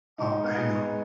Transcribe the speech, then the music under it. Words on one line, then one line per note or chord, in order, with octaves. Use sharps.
Oh, I know.
G#3 D#4
B3
D#4 G#4
G#3